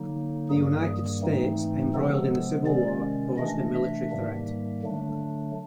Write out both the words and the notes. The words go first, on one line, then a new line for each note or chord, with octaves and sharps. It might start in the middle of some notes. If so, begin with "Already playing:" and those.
The United States, embroiled in the Civil War, posed a military threat.
Already playing: D3 F#3 A#3 D#4
G2 D#3 G3 A#3 G#4
G#2 E3 A3 C4 D#4
C3 F3 G#3 B3 A4
C3 D#3 G#3 C#4 D5
C3 E3 A3 D4 D#5
E5
G#2 D#3 G3 A#3
D3 F#3 A3 D4